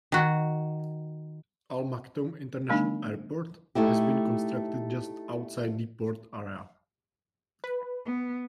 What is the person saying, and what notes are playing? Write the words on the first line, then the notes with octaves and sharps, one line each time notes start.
Al Maktoum International Airport has been constructed just outside the port area.
D#3 F#4
D3 G3 A3 B3 D4 D#4
A3 D#4 E4 G4
B4
B3